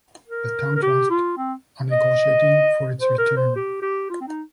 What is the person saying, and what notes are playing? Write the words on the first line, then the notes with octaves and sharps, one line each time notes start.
The Town Trust are negotiating for its return.
A#4
A#4
G4
F4
C4
D#5
C5
A#4
C5
G4
G4
F4
C4
D#4